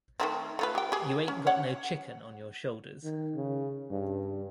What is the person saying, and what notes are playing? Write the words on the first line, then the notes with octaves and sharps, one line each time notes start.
You ain't got no chicken on your shoulders.
D#3 A3 C4
A3 F4 B4
G4 G5
G4 G#4
C#4
C#5 F#5
D#3
C#3
G2